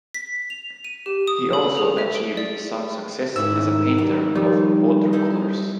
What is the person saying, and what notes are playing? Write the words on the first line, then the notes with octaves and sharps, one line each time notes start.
He also achieved some success as a painter of watercolours.
B6
F7
D#7
G4
D#6
A4
G#4
E5
D7
D5
G#2 D#3 C#4 E4 E6
F#3 G3
F3 G3 C#5
D#4 E4 D5